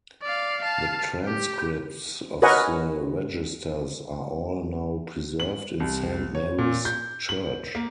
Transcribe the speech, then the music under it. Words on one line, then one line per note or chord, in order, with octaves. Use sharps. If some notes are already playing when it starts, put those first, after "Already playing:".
The transcripts of the registers are all now preserved in Saint Mary's church.
D5 F5
F5 A5
G4
A#4 B4 C#5 D#5 F#5 G#5
F#7
C2
C#5
A#2
G6
F#7
A#3